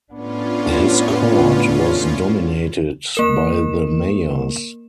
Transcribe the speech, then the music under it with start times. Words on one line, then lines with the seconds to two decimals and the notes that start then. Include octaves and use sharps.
His court was dominated by the mayors.
0.13 A2 B3 C#4 D4 F4
3.15 A#3 A#4 E7